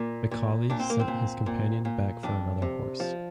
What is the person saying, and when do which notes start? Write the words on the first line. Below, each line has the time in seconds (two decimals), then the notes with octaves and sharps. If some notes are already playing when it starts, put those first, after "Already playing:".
McCawley sent his companion back for another horse.
Already playing: A#2
0.31 A#2
0.70 A#2 D4
0.80 C4
0.90 A#3
1.00 C4
1.08 A#2
1.46 A#2
1.85 A#2
2.23 F2 D4
2.62 C3
3.00 F3